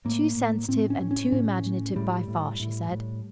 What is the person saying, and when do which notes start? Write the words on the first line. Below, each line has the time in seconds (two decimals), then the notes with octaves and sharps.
"Too sensitive and too imaginative by far," she said.
0.05 A2 A#3
0.37 A2
0.68 A2 C4
0.90 C#4
1.00 A2
1.11 C#4
1.32 A2 C#4
1.64 A2
1.96 A2 G3
2.28 A2
2.60 A2
2.91 A2